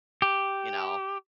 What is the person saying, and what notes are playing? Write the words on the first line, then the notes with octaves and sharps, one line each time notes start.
you know?
G4